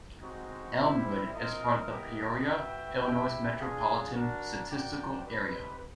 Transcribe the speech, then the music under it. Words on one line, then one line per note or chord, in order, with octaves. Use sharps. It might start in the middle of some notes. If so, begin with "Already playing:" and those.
Elmwood is part of the Peoria, Illinois Metropolitan Statistical Area.
G#3 C4 D#4 F#4
G3 C4 E4 G4
C4 F4 A#4 D#5
B3 E4 G4 A#4 D#5
F#4 B4 E5 G5
E4 G4 B4 E5 G5
D4 F4 G#4
D4 F#4 A#4
F#4 A#4 D5 G5
C4 D#4 G4 B4